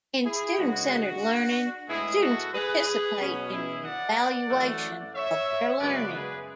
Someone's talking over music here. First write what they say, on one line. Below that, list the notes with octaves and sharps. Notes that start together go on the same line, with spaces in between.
In student-centered learning, students participate in the evaluation of their learning.
E4 G#4
C#3 G#3 B3 D4 F#4
A2 G#3 B3 E4 G#4
F#4 A4
G#4 B4
G#4 B4
B2 F#3 B3 C#4
E4 G#4
D5 F#5
F#2 E3 A3
C#5 E5
F#2 C#3 G#3 B3 B4 D5
G#4 B4